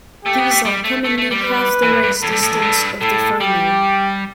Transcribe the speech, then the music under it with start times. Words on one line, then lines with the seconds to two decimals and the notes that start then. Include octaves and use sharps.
These are commonly half the race distance of the final.
0.25 A3 G4
0.38 B3
0.51 A3
0.65 G3
0.84 A3
1.05 A3
1.18 A3
1.31 G3
1.44 B4
1.82 E3
1.92 A2
2.03 G2
2.22 E2 A4
2.32 G2
2.42 A2
2.52 E2
2.62 G2
3.01 A2 A4
3.40 G3 G4